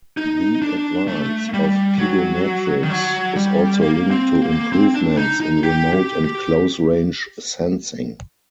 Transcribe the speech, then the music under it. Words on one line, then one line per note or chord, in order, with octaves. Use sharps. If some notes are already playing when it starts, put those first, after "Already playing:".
The advance of pedometrics is also linked to improvements in remote and close-range sensing.
D#4
D4
A3
G3
F#3
D#3
F#3
G3
A#3
C4
A#3
C4
D4
D#4
D#4
G4
G4
G4